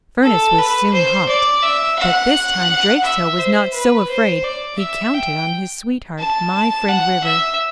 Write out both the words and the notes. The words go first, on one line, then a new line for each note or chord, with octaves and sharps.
The furnace was soon hot, but this time Drakestail was not so afraid; he counted on his sweetheart, my friend River.
A4
B4
C5
D5
E5
F#5
E5
C5
B4
C5
D5
E5
G5
A5
A5
F#5
E5